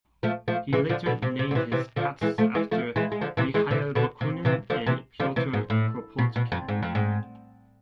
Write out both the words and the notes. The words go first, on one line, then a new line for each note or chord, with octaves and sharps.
He later named his cats after Mikhail Bakunin and Piotr Kropotkin.
F3 A3
F3 A3
E3 G#3
D3 F3
B2 D3
C3
C3
D3
C3 E3
C3 E3
D3 F3
E3 G#3
F3 A3
E3 G#3
F3 A3
E3 G#3
G#3
D3 F3
C3 E3
E3 G#3
C3 E3
B2 D3
C3
C3 E3
D3 F3
C3 E3
D3 F3
C3 E3
G#2
A2
B2
B2
F2
G#2
F2
G#2